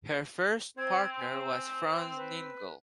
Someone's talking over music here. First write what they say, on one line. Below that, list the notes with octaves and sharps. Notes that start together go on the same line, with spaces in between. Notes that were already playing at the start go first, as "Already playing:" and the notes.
Her first partner was Franz Ningel.
C4 G#6
G#5
B4